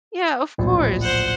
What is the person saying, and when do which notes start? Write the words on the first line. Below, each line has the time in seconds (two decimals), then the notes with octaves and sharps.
Yeah, of course,
0.58 D1 A#1
1.02 C5 F#5